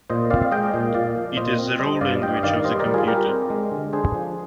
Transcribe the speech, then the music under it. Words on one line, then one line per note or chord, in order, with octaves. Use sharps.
It is the raw language of the computer.
A#2 C5 D#5
C4 D5 F5
F5
G#3 D#5 G5
A#2
A#2 D5 F5
F3
A#2 C5 D#5
C4
G3 C5 D#5
G2 D5 F5
G2 D#5 G5
D#5
D#3 D5 F5
G3 C5 D#5
A#4 D5
G3
F4 G#4
G3 G4 A#4
C4
G#3
D3
D4 G#4 C5
F3